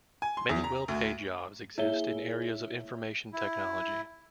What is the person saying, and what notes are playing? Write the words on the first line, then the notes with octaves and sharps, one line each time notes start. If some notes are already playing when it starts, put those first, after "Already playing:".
Many well-paid jobs exist in areas of Information technology.
G#5
C6
E2
A#5
D2
A#3 E4 G#4 C#5 E5 G7
E4